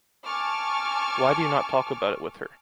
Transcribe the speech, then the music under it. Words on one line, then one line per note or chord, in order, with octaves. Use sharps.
Why do you not talk about it with her?
G#5 A5 C#6 D6 F6